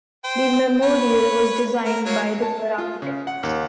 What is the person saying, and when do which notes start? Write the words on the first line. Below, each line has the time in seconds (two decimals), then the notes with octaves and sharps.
The memorial was designed by River Architects.
0.24 C5 G5
0.83 B4 C#5
1.86 A#4
2.06 F#3 A#3 C#5
2.42 A5
2.78 F4
3.02 C#3
3.27 F#5
3.43 D#2